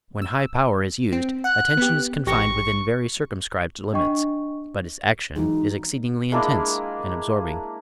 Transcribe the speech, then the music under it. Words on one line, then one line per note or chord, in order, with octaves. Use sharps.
When high power is used attention is confined within very circumscribed limits, but its action is exceedingly intense and absorbing.
E6
C4
F#5 F#6
B3 G4
A1 G4 C#6 A#6
D4 D#5 G5 C#6
E3 F#3 G#3 D#4
G#3 A#3 D4 E4